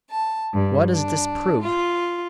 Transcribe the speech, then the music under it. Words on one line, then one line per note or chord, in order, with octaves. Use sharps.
What does this prove?
A5
G2
D4
F4